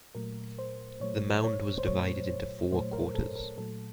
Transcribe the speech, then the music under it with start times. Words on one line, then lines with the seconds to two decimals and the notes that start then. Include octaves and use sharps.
The mound was divided into four quarters.
0.15 A#2 F#3 A3 A#4
0.59 C5
1.00 A#2 F#3 A3 C#5
1.44 C#5
1.78 C5
1.86 A#2 F#3 A3 C#5
2.72 A#2 F#3 A3 C5
2.93 A#4
3.15 A4
3.36 A#4
3.57 A#2 F#3 A3 A4